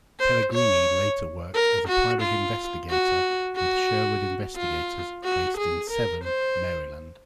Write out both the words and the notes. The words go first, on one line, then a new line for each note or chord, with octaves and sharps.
Pellegrini later worked as a private investigator with Sherwood Investigators based in Severn, Maryland.
C5
C#5
A#4
F#4
F4
F#4
F#4
F4
F#4
G#4
A#4
C5